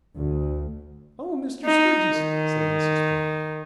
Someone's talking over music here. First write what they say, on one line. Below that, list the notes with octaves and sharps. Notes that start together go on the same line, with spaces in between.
"Oh, Mr. Sturgis," said Mrs. Pett.
D2
D#4
D#3